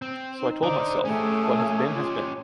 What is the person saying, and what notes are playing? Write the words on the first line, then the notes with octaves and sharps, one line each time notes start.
So I told myself: what has been has been.
C4
D#4
D3 D#4 C5 D5
A3 C#4 G4 G#4
F4